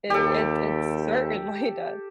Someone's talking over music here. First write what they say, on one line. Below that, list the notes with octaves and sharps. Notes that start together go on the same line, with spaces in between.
It it it certainly does.
D#2 G4 A4